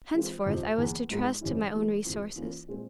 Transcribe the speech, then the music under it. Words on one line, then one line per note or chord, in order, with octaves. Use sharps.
Henceforth I was to trust to my own resources.
E3 G#3 C4 F4
F2 C3 F3
E2 E3 A#3
G#2 F3 G#3
F2 E3 G3 C#4 E4
E3 G3 A#3
E2 C3 F3 C4
E3 A#3 C#4 F4
A#2 G#3 C4